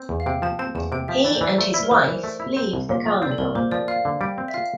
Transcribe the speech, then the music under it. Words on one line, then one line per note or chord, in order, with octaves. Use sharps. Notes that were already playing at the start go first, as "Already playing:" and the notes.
He and his wife leave the carnival.
Already playing: C4
E2
F5
C3 G5
F3 A5
C4 A5
E2 A5
C3 G5
F3 E5
E3 D5
C5
E3 D5
A3
E4
A#4
E3 C5
E3
A3
E4
C4
C2
A#2
F3
C4 D5
A4
C2 A#4
A#2 C5
F3 D5
F4 F5
D3
G3 G5
C4
E5
F4 F5